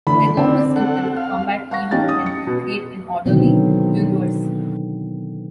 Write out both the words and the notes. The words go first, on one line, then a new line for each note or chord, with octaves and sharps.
Their goal was simple: combat evil and create an orderly universe.
D3 E3 A3 B5
D3 C4 D4
A4 F#5
F5
F5 F#5 C#6 A#6
A1 G3 C#4 D#4 G5 A6
D#6
C#7
B2
B2 D3 D#3 F#3 B3 C4